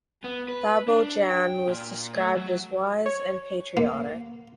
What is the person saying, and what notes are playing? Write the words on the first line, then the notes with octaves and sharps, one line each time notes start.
Babo Jan was described as wise and patriotic.
B3
B4
D4
G5
A#2
A3
F#3
C#5
A#3